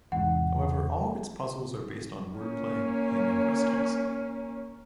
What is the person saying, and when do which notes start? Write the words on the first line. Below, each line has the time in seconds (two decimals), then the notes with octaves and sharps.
However, all of its puzzles are based on wordplay and linguistics.
0.12 E2 G#2 C3 F#5
2.36 A#3 C#4